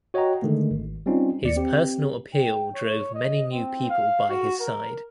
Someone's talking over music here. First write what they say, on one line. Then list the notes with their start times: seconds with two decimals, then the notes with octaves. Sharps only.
His personal appeal drove many new people by his side.
0.14 F#4 C#5 D#5 F#5 G5 A#5
0.42 D3 D#3 G#3 A3
0.71 G#1
1.06 G3 C4 C#4 D#4 F4
1.43 D#2 D5 C#7
1.56 C4 G4
2.33 G5
2.75 C#5
3.14 D#5
3.51 C4
3.90 F5
4.29 F#4
4.60 A#4